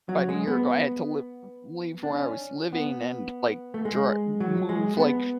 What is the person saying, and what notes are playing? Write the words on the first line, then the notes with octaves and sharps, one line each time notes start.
about a year ago, I had to live leave where I was living and, like, tr m move like,
F#3
G#3
B3
D4
C#4
B3
A3
G#3
F#3
G#3
B3